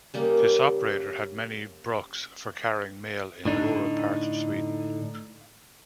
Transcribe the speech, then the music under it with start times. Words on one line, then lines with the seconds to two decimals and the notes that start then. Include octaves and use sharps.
This operator had many brucks for carrying mail in rural parts of Sweden.
0.14 C#3 G3 A#3
3.45 A2 D3 D4 D#4